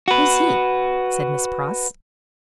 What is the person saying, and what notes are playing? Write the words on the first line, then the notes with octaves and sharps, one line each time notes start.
"Who's he?" said Miss Pross.
F#4 B4